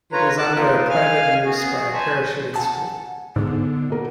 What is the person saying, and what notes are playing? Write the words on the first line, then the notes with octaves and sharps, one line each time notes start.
It is under a private use by a parachuting school.
F4 B4 C#5 A#5
A5 D6 F#6
A#3 D#4 F4 A#4 B4
F5 G#5 F6
B3 F#4 G#4
C5 G#5 A5 B5 C#6
F#5 G#5 A5
G#2 D3 B3
B2 A#4